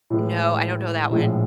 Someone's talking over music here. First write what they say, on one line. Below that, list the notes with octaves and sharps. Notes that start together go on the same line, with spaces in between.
No, I don't know that one.
A2 E3 G#3
A#1 A2 F3 G#3